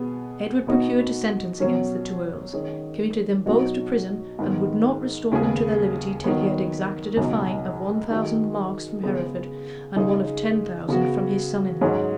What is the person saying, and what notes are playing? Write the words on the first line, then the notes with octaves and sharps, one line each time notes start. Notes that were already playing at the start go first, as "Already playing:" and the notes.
Edward procured a sentence against the two earls, committed them both to prison, and would not restore them to their liberty, till he had exacted a fine of one thousand marks from Hereford, and one of ten thousand from his son-in-law.
Already playing: B2 B3 G#4
B2 B3 D#4 F#4
B2 F#3 C#4
D#3 G#3 C#4 G#4
B2 F#3 D#4 F#4
G#2 D#3 B3
D#2 C#3 B3 G#4
D#3 F#3 B3
C#2 B2 F#3 D#4
D#3 G#3 D#4 F#4
C#3 G#3 B3 G#4
C#3 G#3 D#4 G#4
C#3 B3 F#4
G#2 F#3 C#4 G#4